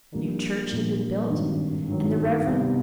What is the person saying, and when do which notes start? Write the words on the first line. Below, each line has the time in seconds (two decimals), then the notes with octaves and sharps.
A new church had been built, and the Rev.
0.13 A#1 A#2 G3 A#3
0.71 A#1 A#2 G3 A#3
1.30 G#1 G2 D#3 F#3
1.88 G#1 G2 D#3 F#3
2.46 C2 B2 G3 B3